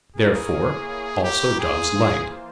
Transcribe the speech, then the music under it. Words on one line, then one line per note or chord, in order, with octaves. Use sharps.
Therefore also does light.
A#3 E4 G#4 A#4 C#5
G4
E3 A#3 F4 G#4 C5